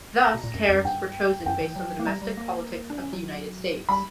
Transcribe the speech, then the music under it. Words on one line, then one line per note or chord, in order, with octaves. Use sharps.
Thus, tariffs were chosen based on the domestic politics of the United States.
A#5
B2
A#2
F#2
E2
F#2
G2 G5
F#2 G5
E3
F#3
A#3
G3 A#5
G3
A#3
D4
C#4
F#3
G3 B5